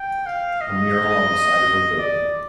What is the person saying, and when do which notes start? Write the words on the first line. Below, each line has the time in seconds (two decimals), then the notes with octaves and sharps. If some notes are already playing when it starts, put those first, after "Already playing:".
A mural on the side of a building.
Already playing: G5
0.27 F5
0.61 D#5
1.99 D5